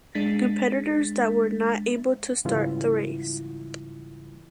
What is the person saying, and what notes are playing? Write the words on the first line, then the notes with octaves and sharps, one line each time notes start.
Competitors that were not able to start the race.
G#3 D4 A6 B6
G#2 C#3 E3 G3 E4 F4